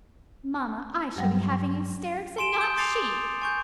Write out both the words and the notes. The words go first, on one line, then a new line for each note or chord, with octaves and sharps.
"Mamma, I shall be having hysterics, and not she!"
G2 F#3 G3
G#5 C6 D7 E7 G7
D#6 G6 G7
C6 D6 A6 C7 C#7 F7
G#5 C#6 G6